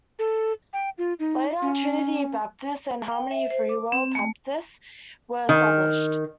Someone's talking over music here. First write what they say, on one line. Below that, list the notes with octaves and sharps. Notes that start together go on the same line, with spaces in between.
Later Trinity Baptist and Harmony Freewill Baptist were established.
A4
G5
F4
D#4
C#4
G5
E5
C5
D6
C4
A3
D#3